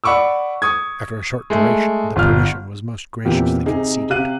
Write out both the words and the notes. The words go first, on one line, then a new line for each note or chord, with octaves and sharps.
After a short duration, the permission was most graciously conceded.
D5 F#5 B5 C#6 D6 E6
C#6 D#6 G#6
G#3 A3
G1 F4 F6
E2 A#2 C4 G4
C3 D#4 G#4
C3 G4 F5 F#6 D#7